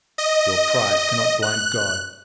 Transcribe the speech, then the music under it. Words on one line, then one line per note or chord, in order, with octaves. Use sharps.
Your pride cannot blind God!
D#5
F#6